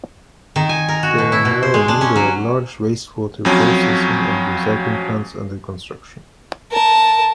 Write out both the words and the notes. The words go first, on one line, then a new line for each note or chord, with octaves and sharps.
There are now a number of large wastewater processing and recycling plants under construction.
D#3
G#5
A#4
F#4
B2
E4
B2
C5
G#3
D4
C#4
F#3
F2 F3 F#3 C#4
A#4 A5